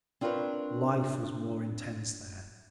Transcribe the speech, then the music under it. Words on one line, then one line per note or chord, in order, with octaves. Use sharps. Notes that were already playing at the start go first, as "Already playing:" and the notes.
Life was more intense there.
C4 D4 F4 A#4 B4 C#5